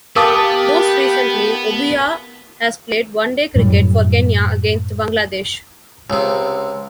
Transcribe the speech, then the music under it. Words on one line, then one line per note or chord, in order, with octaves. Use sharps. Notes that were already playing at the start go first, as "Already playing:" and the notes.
Most recently, Obuya has played one-day cricket for Kenya against Bangladesh.
B3 G4 A#4 F5 A5 D6 D#6 A6
F#2 A2 F#3 G3
C#2 C3